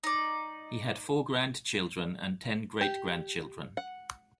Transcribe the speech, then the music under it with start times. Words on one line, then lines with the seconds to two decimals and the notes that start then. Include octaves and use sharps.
He had four grandchildren and ten great-grandchildren.
0.04 D#4 D5
2.81 G4
3.77 F#5